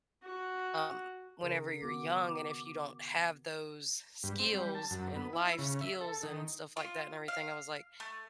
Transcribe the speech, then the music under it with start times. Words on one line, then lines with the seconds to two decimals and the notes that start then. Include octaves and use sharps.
um, whenever you're young, and if you don't have those skills, and life skills, and stuff like that, and everything. I was like,
0.23 F#4
1.43 C#3 G#4 A#4
1.82 D#3 B3 F#4 D6
4.23 G2
4.39 C4
4.55 G3
4.75 A5
4.91 F#2
5.16 B3
5.33 E4
5.59 C#3
5.81 E5
6.01 A4
6.23 D#3
6.77 F4
7.28 F5
8.00 A3